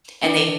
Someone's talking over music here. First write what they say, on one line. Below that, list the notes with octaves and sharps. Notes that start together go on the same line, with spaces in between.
and they
E3 D4